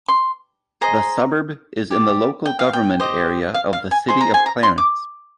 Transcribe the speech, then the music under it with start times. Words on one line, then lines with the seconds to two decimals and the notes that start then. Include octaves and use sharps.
The suburb is in the local government area of the City of Clarence.
0.08 C6
0.81 G#4 C5 D#5 A#5
1.91 G4 D5
2.46 G5
2.59 F5
2.73 G5
3.00 G4 C5 D#5
3.54 F5
3.73 F5
3.91 G#5
4.08 D#4 G#4 C5 C6
4.21 A#5
4.34 G#5
4.46 A#5
4.63 C6
4.78 D6